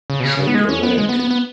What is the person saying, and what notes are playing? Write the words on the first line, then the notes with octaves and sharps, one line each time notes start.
Shake a leg.
C#3
B2
C#3
C#3
B3
G#3
C#4
B3
G#3
B3
B3
B3